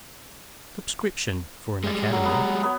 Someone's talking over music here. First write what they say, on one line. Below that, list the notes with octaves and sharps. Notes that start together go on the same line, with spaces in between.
Subscription for an Academy.
G3 G#3
F#3
B3 A#5
B3 C#5